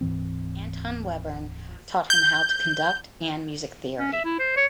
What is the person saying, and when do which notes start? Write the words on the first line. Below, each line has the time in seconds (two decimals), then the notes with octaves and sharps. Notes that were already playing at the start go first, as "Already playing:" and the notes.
Anton Webern taught him how to conduct and music theory.
0.01 D1 G#2 E3 C4
2.10 G6
3.99 C#4
4.13 E5
4.25 E4
4.39 C5
4.57 C#5